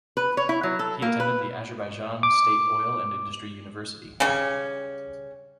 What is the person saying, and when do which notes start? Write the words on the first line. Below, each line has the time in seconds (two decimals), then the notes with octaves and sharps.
He attended the Azerbaijan State Oil and Industry University.
0.17 B4
0.37 C#5
0.49 E4
0.63 F#3
0.79 A4
1.02 A#3
1.20 B4
2.23 D6
4.20 C#3 G3 C#4